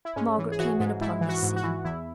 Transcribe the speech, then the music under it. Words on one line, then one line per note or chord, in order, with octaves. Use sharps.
Margaret came in upon this scene.
E4
G#2 C#4
E3
G#4
E3 F#4
G#2
G#2 E4
E3
F#4
G#2
F#4
E3
E2 E4